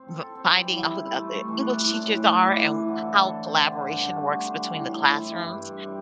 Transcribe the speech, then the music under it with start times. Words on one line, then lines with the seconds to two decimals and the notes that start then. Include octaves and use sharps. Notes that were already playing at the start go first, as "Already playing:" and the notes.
v finding out who the other English teachers are and how collaboration works between the classrooms.
Already playing: C4
0.08 A4
0.21 A4
0.35 C4
0.50 G3
0.64 E3
0.77 E4
0.92 E4
1.06 E4
1.19 A3
1.34 A3
1.48 E3
1.62 D4
1.76 E3
1.89 D4
2.04 A2
2.18 E3
2.32 E3
2.46 E3
2.59 A2
2.74 E3
2.88 D3
3.02 A4
3.16 A4
3.29 A4
3.44 C4
3.58 D3
3.72 D3
3.85 G2
3.99 D3
4.14 A3
4.27 D3
4.42 D3
4.55 G3
4.70 E3
4.83 A2
4.98 E4
5.11 G3
5.25 E4
5.39 G2
5.53 G2
5.67 G2
5.82 G3